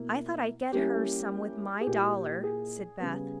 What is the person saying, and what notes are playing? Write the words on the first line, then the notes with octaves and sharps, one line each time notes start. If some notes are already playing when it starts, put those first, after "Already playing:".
"I thought I'd get her some with my dollar," said Beth.
Already playing: B2 A#3 E4
G3 A#3 C#4 E4 G4
G#4
A#2 A#3 E4 G4
G#4
C#3 G3 B3